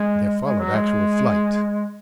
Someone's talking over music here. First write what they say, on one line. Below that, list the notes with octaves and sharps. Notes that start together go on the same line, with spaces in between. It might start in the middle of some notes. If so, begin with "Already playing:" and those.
There followed actual flight.
Already playing: G#3
G#3
F#3
G#3